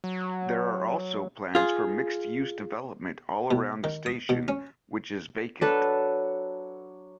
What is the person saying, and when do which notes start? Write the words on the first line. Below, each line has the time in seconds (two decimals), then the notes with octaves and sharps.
There are also plans for mixed-use development all around the station which is vacant.
0.04 F#3
1.55 F4 G#4
3.51 B2
3.84 D#3
4.06 D#6
4.29 B2
4.48 C#4
5.61 F#3 D4 A4 B4 C#5 E5